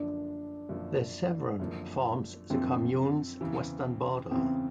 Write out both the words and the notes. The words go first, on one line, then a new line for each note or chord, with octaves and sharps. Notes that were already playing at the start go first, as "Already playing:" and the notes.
The Sevron forms the commune's western border.
Already playing: F#2 D3 F3 A#3 D4
F#2 D3 F3 A#3
F#2 D3 F3 A#3
F#2 D3 F3 A#3 C4
E2 C#3 E3
E2 C#3 E3 C4